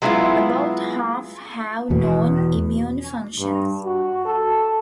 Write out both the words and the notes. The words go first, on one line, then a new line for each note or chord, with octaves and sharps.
About half have known immune functions.
F#3 G#3 B3 E4 F4
E2 B2
G2
F#4
A4